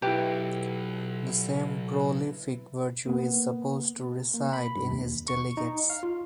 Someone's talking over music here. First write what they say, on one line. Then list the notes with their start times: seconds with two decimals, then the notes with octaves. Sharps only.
The same prolific virtue is supposed to reside in his delegates.
0.02 B1 E4 G4 B4
3.06 A#3 B3
4.34 A#3
4.53 B5
4.76 G2
4.90 D#2
5.28 C#6
5.57 D#4
5.90 F5
6.03 F4